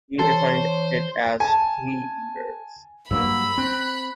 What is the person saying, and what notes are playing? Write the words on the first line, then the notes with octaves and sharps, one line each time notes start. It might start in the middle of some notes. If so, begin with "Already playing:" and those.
He defined it as "tree eaters".
E3 A4 C5 C#5
G#5 A5
G2 F#3 A#3 B5 E6
C4 F#6